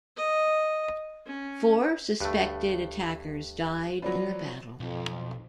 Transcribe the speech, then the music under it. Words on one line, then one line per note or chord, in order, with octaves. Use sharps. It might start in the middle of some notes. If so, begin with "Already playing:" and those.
Four suspected attackers died in the battle.
D#5
C#4
D2 G2 A3 G4 F#6
F3 F#3 D5 B5
B1 F2